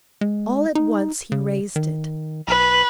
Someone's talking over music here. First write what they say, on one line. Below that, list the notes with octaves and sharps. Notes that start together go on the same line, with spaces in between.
All at once he raised it.
G#3
D#4
C#3
D#3
B1 B4